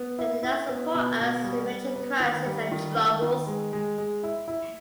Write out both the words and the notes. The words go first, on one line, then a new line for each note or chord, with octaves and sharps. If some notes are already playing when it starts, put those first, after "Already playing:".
They did not support us in major crises and troubles.
Already playing: B3
E4
E4
B3
B2
B2
G3
B3
B3
D#3
G3
D#3
D#3
D#3
G#3
G#3
G#3
E4
E4